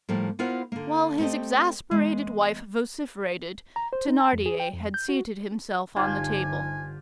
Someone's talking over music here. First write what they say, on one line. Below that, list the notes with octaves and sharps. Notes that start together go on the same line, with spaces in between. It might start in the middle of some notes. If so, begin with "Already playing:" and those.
While his exasperated wife vociferated, Thenardier had seated himself on the table.
A2 F3 G3 A#3
B3 E4 F4 A#4 C5 F#5
D3 A#3
A3 C4 G4 A4 D#5
E2 G#3
A#5
C5
D#4
A5
F2
G#4
G5
F2
G6
F#4
G1 D3 D#4 F4 G4 C5 G#5